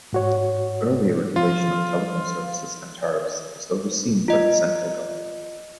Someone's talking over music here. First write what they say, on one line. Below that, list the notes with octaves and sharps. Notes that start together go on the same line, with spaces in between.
Earlier regulation of telecom services and tariffs was overseen by the Central Government.
G#2 F#4 C#5
F3 F4
F4 D#5